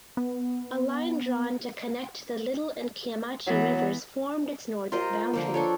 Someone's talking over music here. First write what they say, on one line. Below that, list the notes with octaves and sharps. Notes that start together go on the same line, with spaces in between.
A line drawn to connect the Little and Kiamichi rivers formed its northern boundary.
B3
E3 F#3 B3
F4 A#4 C5 D#5
D3 F3 A#3
D4 A4 C#5